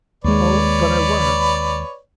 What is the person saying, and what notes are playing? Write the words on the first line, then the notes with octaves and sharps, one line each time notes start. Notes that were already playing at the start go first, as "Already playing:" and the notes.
"Oh, but I was."
D#2 G#3 B4 C#5 D5